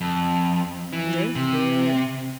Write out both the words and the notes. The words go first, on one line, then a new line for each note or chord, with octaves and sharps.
That's good.
F2
E3
C3